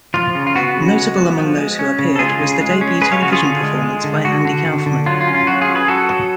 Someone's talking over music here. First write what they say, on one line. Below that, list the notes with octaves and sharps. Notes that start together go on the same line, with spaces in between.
Notable among those who appeared was the debut television performance by Andy Kaufman.
F3 F4
C#3
F4
B3 F#4
C#3
G#3
B3
F3
G#3
C#4
C#3
A4
G#3 F4 G#4
C#3
G#3
C#4
G#3 G#4 B4
C#5 F5
C#3 F#4
F4 G#4
D3
G#3
G#3
D3
D3 F#4
D3
D3
D3
F#3 F4
F4
C#4
F4
F#3 F#4
F4 G#4
C#4
G#4 B4
F#3 F#4 A4
F#3